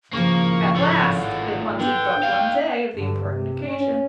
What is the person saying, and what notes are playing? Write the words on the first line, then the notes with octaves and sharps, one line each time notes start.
At last it wanted but one day of the important occasion.
G#1 A2 C#3 F3 A#3 C#6
A3 F4
F#5
D3 B3 G5
D#4 F5
G2 D3
C3
C#4